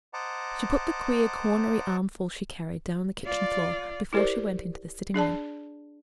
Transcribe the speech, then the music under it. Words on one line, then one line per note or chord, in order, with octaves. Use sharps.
She put the queer cornery armful she carried down on the kitchen floor before she went into the sitting room.
C5 D#5 F#5 A5 A#5 D6
F4 D5
E4 G4 A#4 C5 D5
D4 G#4 D5 A5